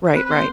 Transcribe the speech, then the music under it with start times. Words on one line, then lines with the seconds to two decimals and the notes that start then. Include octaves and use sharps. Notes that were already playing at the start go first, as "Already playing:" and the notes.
Right, right.
0.15 C4 B4
0.26 B4
0.31 B3 C5